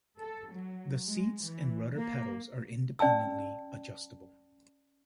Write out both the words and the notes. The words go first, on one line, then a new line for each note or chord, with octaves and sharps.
The seats and rudder pedals are independently adjustable.
A4
F#3
G#3
E3
A#3
C#4 D5 G5 A5 E6